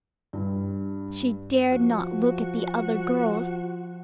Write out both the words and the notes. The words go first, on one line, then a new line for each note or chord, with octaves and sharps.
She dared not look at the other girls.
G2
F3 F#4